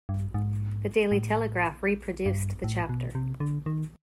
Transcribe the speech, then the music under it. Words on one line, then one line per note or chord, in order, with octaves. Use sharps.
The "Daily Telegraph", reproduced the chapter.
G2
G#2
A2
G2
A2
B2
C3
D3
D#3